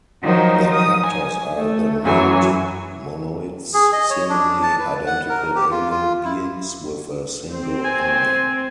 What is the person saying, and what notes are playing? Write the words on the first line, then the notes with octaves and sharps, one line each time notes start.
Their captors are the mute Monoids, seemingly identical alien beings with a single eye.
D#3 F3 F#3 D#4 A#4 C5
D#6
G#5
A3
F#2 E3 F#3 G#5
G#4
D#5
C#5
D4
A5
B4
F#5
A#4
G4
F4
F4
E4
C4
G#5